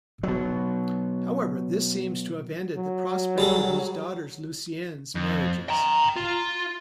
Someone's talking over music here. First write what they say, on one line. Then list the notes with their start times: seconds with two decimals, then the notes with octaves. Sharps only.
However, this seems to have ended the prospect of his daughters' Lusignan marriages.
0.23 B2 F#3
2.77 F#3
3.38 G3 G#4 A4
5.15 F2
5.69 G5 A#5
6.16 F4